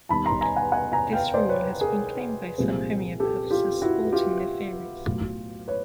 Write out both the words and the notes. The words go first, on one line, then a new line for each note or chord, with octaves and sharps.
This rule has been claimed by some homeopaths as supporting their theories.
D#2 D#3 G3 B3 A5 B5
A#5 C6
G#5 A#5
F#5 G#5
F#5 G#5
G#5 A#5
F5 G5
C5 D5
B4 C#5
G#4 A#4
C2 A#2 F3 G#3 C4
G4 A4
F4 G4
E4 F#4
F4 G4
B1 A2 F#3 A3
B4 C#5